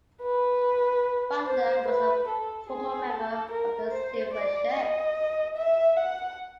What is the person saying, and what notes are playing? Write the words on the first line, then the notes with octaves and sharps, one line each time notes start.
Butler was a former member of the Silver Shirts.
B4
C5
B4
A4
G#4
A4
A#4
C5
D5
D#5
E5
F#5